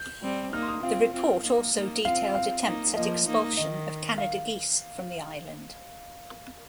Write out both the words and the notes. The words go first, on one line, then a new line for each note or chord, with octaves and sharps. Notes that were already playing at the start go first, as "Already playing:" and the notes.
The report also detailed attempts at expulsion of Canada geese from the island.
Already playing: G6
G3 C4
A#3 D#4 F6
C6
D#6
C4 F4 F5
C4 F4
A#3 D#4
A#3 D#4
C4 F4 F5
F5
A#3 D#4
F3 A#3 D#5
A#3 D#4
D#3 D#5
F5